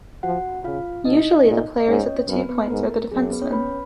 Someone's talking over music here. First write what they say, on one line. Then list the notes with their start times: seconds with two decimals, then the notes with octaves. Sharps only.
Usually the players at the two points are the defencemen.
0.23 F3 F#4 F#5
0.64 C#3 F4 F5
1.05 B2 D#4 D#5
1.47 A#2
1.80 D#5
1.88 G#2 C#4 C#5
2.29 F#2 B3 B4
2.49 B3 B4
2.70 G#2 A#4
3.11 F#2 G#4
3.31 B3 B4
3.42 C#4 C#5
3.52 B4 B5